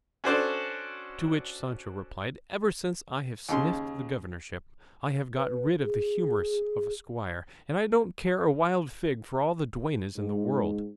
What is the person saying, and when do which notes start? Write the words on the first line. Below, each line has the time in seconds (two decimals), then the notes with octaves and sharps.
To which Sancho replied, "Ever since I have sniffed the governorship I have got rid of the humours of a squire, and I don't care a wild fig for all the duennas in the world."
0.24 C#4 D4 F#4 A4 C5 D5
3.49 D#2 C#3 C6
5.36 B4
5.82 G#4
10.17 G#2